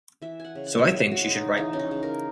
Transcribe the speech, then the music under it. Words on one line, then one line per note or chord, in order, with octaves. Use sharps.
So I think she should write more.
E3 E5
F#5 G#5
C#3
F#5
C#3 E5
F#4
G#3
D#4
E3 D#4
C#4
D#4
C#3
A#4